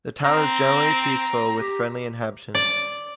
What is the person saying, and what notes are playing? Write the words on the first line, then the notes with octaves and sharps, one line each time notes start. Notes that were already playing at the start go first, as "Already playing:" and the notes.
The town is generally peaceful with friendly inhabitants.
C4 A#5
G4
D5